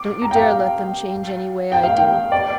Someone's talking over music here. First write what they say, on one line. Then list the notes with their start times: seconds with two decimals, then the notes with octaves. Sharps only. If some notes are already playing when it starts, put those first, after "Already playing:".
Don't you dare let them change any way I do.
Already playing: D6
0.22 A#5
0.31 G5
0.36 F5
1.72 G5
1.83 F5
1.97 G5
2.32 D5